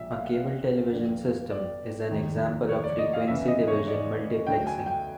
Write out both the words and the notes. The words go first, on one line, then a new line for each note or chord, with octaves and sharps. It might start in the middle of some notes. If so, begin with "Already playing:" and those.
A cable television system is an example of frequency-division multiplexing.
Already playing: A#1 A#2 G3 E5
F5
F#5
F5
G1 F2 D3 G3
D5
F1 D#2 D#3 G#3
C#5
D5
D#5
F5
E2 C#3 E3 E5
D#5
C#5
D5
D2 D3 F#3 G5
G#5
G5